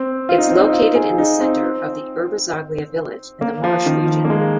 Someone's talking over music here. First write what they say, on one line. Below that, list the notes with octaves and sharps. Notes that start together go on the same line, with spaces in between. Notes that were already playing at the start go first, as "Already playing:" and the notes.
It’s located in the center of the Urbisaglia village, in the Marche region.
Already playing: C4
F4
D#4
C4
D#4
F4
G#4
D#4
C4
A#3
F3
D#3
F3
A#3
G#3